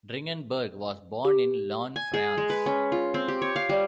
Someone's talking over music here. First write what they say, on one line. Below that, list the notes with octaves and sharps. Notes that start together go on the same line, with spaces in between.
Dringenberg was born in Laon, France.
G4
G#5
G#4
G#3
B4
C#4
F4
C4
G4
C#5
F5
G3